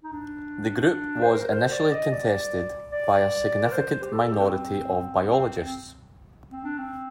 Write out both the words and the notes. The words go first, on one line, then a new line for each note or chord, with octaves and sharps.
The group was initially contested by a significant minority of biologists.
D#4
D4
C5
A#4
C5
D5
D#5
D5
D5
A#4
C5
G4
A4
A4
G4
C4
C4
C4
D4
C4